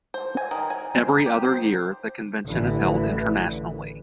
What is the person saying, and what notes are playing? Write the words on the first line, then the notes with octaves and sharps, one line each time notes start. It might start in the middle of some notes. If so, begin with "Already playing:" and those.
Every other year, the convention is held internationally.
C5
G#5
D#3
G#5
C5
D#4
G4
C5
A1 D3 E3